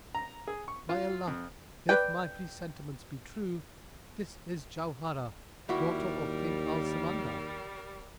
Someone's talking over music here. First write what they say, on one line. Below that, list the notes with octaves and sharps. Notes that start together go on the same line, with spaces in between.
By Allah, if my presentiments be true, this is Jauharah, daughter of King Al-Samandal!
A#5
G#4
C#6
F4
F2
B4 D5 G5
D#2 G3 E4 F#4 A#4 E5